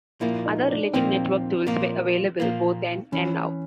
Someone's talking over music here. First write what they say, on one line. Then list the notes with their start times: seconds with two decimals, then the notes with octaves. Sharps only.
Other related network tools were available both then and now.
0.21 A#2 F3 A#3 E4
0.46 D#4
0.70 D4
0.94 A#2 F3 A#3 C4
1.67 A#2 F3 A#3
2.40 A#2 F3 A#3
3.12 E3 C#4